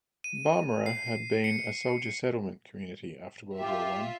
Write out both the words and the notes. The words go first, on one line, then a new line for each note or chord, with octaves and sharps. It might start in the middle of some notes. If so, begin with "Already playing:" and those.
Barmera had been a soldier settlement community after World War One.
D#7
C7
C#7
F4 G4 E5